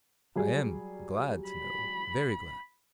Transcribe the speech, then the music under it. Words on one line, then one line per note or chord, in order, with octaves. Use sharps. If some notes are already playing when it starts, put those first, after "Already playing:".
I am glad to know, very glad.
F#3 G3 G#4
B5